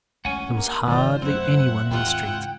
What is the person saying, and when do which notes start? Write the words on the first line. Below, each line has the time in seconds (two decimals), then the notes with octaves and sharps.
There was hardly anyone in the streets.
0.25 A1 D2 G#3 C#4 F#5 G#5
0.56 G2 A#3
0.88 G#2 D#3 E3 G3 F4 C5 D5
1.22 F#2 C3 A3 C4 E4 C5 F#5
1.90 D#2 G#2 F4 F#5 G5
2.23 G#2 C#3 E3